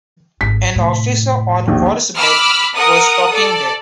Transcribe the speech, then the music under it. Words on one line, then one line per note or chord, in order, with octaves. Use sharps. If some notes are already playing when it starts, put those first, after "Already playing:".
An officer on horseback was talking there.
G#1 B6
F1 A2
A#1 D#2
B5 D6 E6 F6
A#4 F#5 D#6
A4 D5